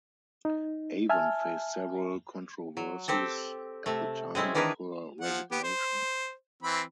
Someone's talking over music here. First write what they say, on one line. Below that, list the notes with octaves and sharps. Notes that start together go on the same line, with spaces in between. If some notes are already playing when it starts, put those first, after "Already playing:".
Avon faced several controversies at the time of her resignation.
D#4
E5 G#5 A5 F6
F#3
C4 G4 A4
C3 A3
G#3 C4 C#4 E4
D#3 E3 D4 G#4 A#4 B4
F3 F#5
B3 G4
C5
E3 C4 B5